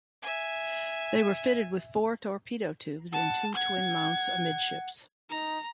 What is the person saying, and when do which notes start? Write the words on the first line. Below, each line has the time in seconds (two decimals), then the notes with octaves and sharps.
They were fitted with four torpedo tubes in two twin mounts amidships.
0.22 E5 G#5
3.13 F#5 A5
3.54 F#5 G#6
5.30 D#4 A#5